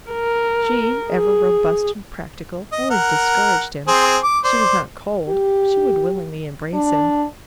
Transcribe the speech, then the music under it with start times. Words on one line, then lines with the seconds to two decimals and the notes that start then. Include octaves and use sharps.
She, ever robust and practical, always discouraged him. She was not cold; she would willingly embrace him.
0.11 A#4
1.09 G#4
2.72 D#5
2.91 A#4 F#5
3.88 C4 G#4 C5
4.23 D6
4.44 C5 D5
5.28 G4
6.74 D4